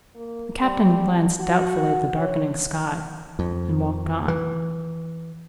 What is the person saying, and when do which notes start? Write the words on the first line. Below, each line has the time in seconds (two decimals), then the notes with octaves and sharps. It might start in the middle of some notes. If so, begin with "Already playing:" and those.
The captain glanced doubtfully at the darkening sky, and walked on.
0.15 A#3
0.62 G3
1.40 F#4
2.18 C#5
3.39 F2
4.28 E3